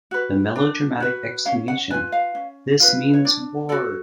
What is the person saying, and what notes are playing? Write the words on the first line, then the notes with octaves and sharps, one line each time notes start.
The melodramatic exclamation This means war!
F#4 B4
D4
F#4 B4
C#4 F5
F#5
F4 B4 G#5
F5
C#4
F4 B4
C#5
D4 D5
F#4 A4 D5